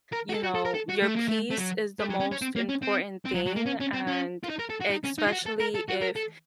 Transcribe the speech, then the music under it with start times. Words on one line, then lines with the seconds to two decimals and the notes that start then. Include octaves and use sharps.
you know, your peace is the most important thing. And especially if
0.12 A#4
0.29 F#4
0.34 A4
0.43 F#4
0.55 A4
0.65 A#4
0.74 A4
0.89 F#4
1.03 A3
1.16 A#3
1.29 A3
1.50 A3
1.58 F#3
1.99 A3
2.10 F#3
2.20 C#4
2.31 C#4
2.41 C4
2.56 A#3
2.69 C#4
2.83 C4
3.25 C4
3.34 F#3
3.46 F#3
3.56 A#3
3.66 C#4
3.80 C#4
3.93 C4
4.07 C#4
4.43 F4
4.50 D#4
4.59 A#4
4.70 A4
4.81 F#4
4.91 D#4
5.04 C#4
5.19 D#4
5.27 F4
5.32 F#4
5.46 A4
5.60 A#4
5.75 A4
5.89 F#4
6.01 A#4
6.16 A4